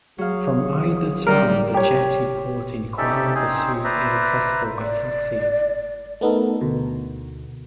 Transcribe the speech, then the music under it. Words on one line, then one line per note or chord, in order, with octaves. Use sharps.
From either town, the jetty port in Kuala Besut is accessible by taxi.
F#3 G#4 F5
G3 A#4
G4 C#5
C#4 D#4 G4 A4 D5 E5
C4 C#4 D#4 G#4 C5
B4 C5 D5 E5 A#5
D5
A3 B3 D#4 A4 A#4
D2 B2